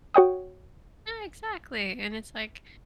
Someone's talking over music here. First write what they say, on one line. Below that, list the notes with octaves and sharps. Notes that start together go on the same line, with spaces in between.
Ah, exactly, and it's like
F#4 C#5 G5 D#6